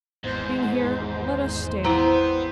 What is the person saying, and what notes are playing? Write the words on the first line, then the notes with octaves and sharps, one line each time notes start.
'Being here, let us stay.
G#1 E2 G#2 C5
B3 C4 E4 A#5